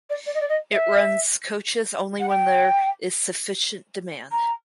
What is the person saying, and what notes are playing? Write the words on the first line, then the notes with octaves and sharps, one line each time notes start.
It runs coaches only when there is sufficient demand.
D5
D5
D#5
D5
D#5
E5
F#5
G5
A#5